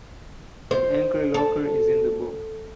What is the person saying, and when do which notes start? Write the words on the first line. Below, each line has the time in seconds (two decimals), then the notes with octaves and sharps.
An anchor locker is in the bow.
0.71 C5
1.34 A4